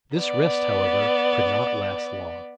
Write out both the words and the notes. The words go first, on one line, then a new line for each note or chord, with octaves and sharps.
This rest, however, could not last long.
B3 D5